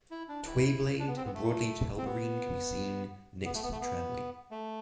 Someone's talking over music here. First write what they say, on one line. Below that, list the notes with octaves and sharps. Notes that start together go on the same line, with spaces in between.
Twayblade and broadleaved helleborine can be seen next to the tramway.
E4
D4
E4
D4
B3
C4
B3
A3
C4
B3
B3
A3
B3
A3
B3
A3